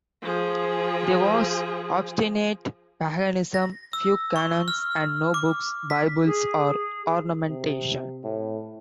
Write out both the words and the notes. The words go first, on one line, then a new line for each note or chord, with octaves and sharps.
There was obstinate paganism, few canons, and no books, bibles, or ornamentation.
F3 G#4
A#6
E6
C#6
F6
D6
B6
G#4
C3
A2